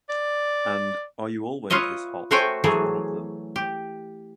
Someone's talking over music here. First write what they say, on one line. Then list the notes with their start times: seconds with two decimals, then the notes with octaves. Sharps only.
And "Are You Always This Hot" is one of them.
0.10 D5
1.70 F4 B4 C#5 D#5 E5
2.31 A3 F#4 C5 C#5 G5 G#5
2.64 E3 F#3 A3 G#4
3.56 G4